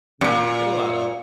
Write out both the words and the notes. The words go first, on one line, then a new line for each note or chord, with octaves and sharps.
Yeah, it'll add up.
F#2 A#2